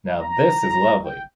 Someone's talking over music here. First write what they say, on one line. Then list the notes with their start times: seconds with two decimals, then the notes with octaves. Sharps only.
Now this is lovely!
0.21 A#5
1.04 G5